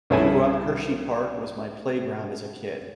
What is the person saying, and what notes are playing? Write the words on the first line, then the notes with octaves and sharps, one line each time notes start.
grew up Hershey Park was my playground as a kid.
C2 G2 C#4 E4 A4 G#5